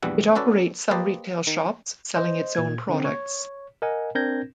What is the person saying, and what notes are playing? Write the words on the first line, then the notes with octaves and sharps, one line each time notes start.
It operates some retail shops selling its own products.
A#1 E2 E3 G3 E5 F#5
C#4 F#4 A4 B4 D5
A#3 G4 B4 C5 D#5 A5
D#3
C5 D#5
A#2 G#6
D3 C4
C#5
A#4 D#5 F#5 G#5
C4 D4 A#4 G6 G#6 A#6